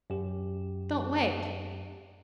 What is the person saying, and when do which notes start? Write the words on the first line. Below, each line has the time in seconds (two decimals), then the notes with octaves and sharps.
Don't wait.
0.10 F#2 G4